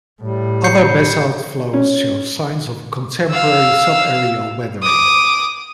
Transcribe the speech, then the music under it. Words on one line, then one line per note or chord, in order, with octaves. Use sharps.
Other basalt flows show signs of contemporary sub-aerial weathering.
A2 G3
G6 C7 C#7
C#4
F5 E6
D6 D#6